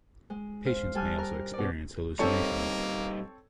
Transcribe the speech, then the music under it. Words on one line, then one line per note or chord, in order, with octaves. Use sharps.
Patients may also experience hallucinations.
G#3
C5 F5
G3 A4 G#5 F6 F#6
A#4
B2 D5
G3 A#3 C4 D#4 A4 C#5